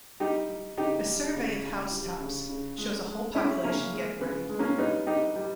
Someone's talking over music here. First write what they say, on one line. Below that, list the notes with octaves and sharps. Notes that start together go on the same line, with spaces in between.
A survey of housetops... shows a whole population getting ready.
G3 D#4 G4
G3
C#3 D#4 G4
G3
C#3
C#3
G3
C#3
C#3
G#3
G#3
G#3 C#4 E4
C#3 A#3 C#4
G#3
C#3 B3
G#3
A#3 C#4
G3 B3 D#4
G3 D#4 G4
G3